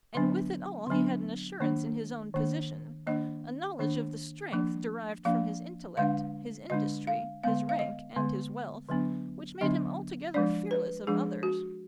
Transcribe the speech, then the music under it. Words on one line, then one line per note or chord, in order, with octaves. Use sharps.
And with it all he had an assurance in his own position,--a knowledge of the strength derived from his intellect, his industry, his rank, and his wealth,--which made him altogether fearless of others.
D3 F#3 B3 D4
D3 F#3 B3 D4
D#3 A#3 D4
D#3 A#3 D4
D#3 A#3 D4 D#5
D#3 A#3 D4
F3 A#3 D4
F3 A#3 D4 F5
D3 G#3 D4 F5
D3 G#3 D4 D#5
F5
D3 G#3 B3 F5
F5
D#5
D3 G#3 B3
D3 F#3 B3 D4
D3 F#3 B3 D4 D#5
F3 G#3 D4 D5
B4
F3 G#3 D4 G#4
F#4